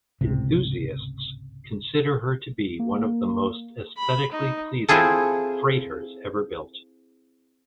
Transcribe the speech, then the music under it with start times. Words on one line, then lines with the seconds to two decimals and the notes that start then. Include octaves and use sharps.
Enthusiasts consider her to be one of the most aesthetically pleasing freighters ever built.
0.21 G#1 C#2 A2 C3
2.79 A#3
3.97 B5
4.32 D#4
4.88 C4 E4 F4 G#4 A4